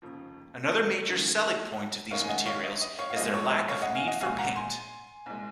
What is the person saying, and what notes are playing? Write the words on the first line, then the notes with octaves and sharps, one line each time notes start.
Another major selling point of these materials is their lack of need for paint.
F1 D#2 C#3 F3
F#2 D#3 G#3
F1 D#2 D#3 G#3 C#5 F5
G#5
D#5 F#5
C#5 F5
D#5
D#5
C#5 F5
F5
A#1 A#2 F3 G#3 D#5
C#5
D#5
C#5 F5
D#5 F#5
F5 G#5
D#5 F#5
A#1 A#2 G#3 F5 G#5
F#5 A#5
G#5 C6
C2 A#2 G#3